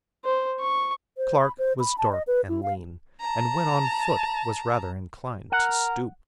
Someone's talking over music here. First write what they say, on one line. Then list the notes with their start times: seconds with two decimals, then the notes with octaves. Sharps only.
Clark was dark and lean, and when on foot was rather inclined to stoop.
0.25 C5
0.60 C#6
1.18 C5
1.41 B5
1.58 C5
1.80 B5
1.98 A5
2.12 D#5
2.27 B4
2.49 E4
2.63 F5
3.21 A5 A#5
5.52 A#4 F#5